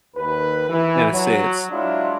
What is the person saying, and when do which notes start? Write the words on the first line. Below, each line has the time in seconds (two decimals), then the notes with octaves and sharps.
in a sense.
0.16 D#2 B4
0.69 E3
1.12 F#3
1.70 F#3 G#3 D4 E4 F4